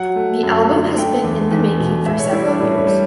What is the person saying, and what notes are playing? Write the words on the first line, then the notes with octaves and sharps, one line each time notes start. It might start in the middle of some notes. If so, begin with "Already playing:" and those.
The album has been in the making for several years.
Already playing: F#3 F#5
A3
F#2
D3
A3 G5
E2
E2
B2
A2 E5
C#5
G3 E4
D4
A2 C#4
C#4
G3